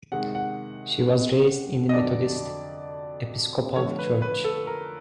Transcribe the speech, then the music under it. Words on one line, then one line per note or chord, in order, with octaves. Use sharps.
She was raised in the Methodist Episcopal Church.
C3 D#3 G#3 F#5
F#5
D#5
F2 D3 F#3 D5
D3 F3 A3 C#5
B4
B4
A4
A#4